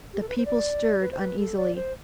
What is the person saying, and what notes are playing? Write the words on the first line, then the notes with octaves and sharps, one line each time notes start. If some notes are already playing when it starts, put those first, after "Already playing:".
The people stirred uneasily.
G4
A4
B4
C5
D5
B4
C5
B4
A4
D5
C5